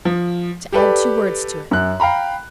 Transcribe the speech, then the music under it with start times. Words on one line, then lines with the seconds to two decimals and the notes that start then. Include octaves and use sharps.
"To add two words to it."
0.05 F3
0.72 G4 A4 B4 D5
1.71 F#2 F#6
2.00 F5 G5 A#5 B5